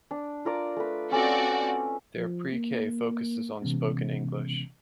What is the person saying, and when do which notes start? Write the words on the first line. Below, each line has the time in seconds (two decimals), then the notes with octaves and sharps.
Their Pre-K focuses on spoken English.
0.11 D4
0.45 F4 A#4 D5
0.76 A3 B4
1.12 C4 C#4 F#4 A4 D5 F5
2.17 F3
2.52 A#3
3.62 C3 E3 G#3 B3 C#4